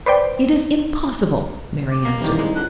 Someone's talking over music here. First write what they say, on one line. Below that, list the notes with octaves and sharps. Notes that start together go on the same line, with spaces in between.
"It is impossible," Mary answered.
B4 C5 D5 G5
D6
A#3
C2 D#3 E3
G#3 D#4
C#2 D3 F#6